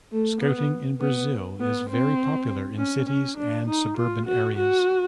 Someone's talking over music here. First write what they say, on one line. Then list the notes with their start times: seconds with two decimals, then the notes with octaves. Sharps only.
Scouting in Brazil is very popular in cities and suburban areas.
0.12 A3
0.41 B3
1.00 B3
1.60 B3
1.89 C4
2.78 C#4
3.08 C#4
3.37 D4
3.67 D#4
3.97 F4
4.26 F#4
4.56 F#4